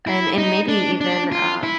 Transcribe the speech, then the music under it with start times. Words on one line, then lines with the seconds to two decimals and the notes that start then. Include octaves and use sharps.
And and maybe even, um,
0.07 E4
0.38 D#4
0.68 D4
1.01 D4
1.32 F4
1.63 E4